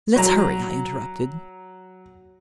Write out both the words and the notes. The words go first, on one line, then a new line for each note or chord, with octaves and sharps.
"Let's hurry!" I interrupted.
F#3 A#5